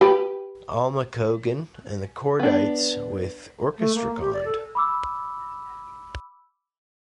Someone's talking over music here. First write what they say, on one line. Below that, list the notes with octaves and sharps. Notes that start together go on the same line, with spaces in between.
Alma Cogan and The Kordites with orchestra cond.
G4 B4
B3 D4
A3
A#3
G4
D5
A4
B5 D6 E6